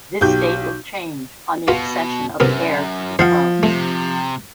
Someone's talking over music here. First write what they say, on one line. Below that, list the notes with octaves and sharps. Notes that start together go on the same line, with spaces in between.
This date will change on the accession of the heir to the throne.
B1 G4 G6
B2 F4 F#4 B4
F#2 C3 B3 A#4
F3 C5 F5 F#5
C3 A3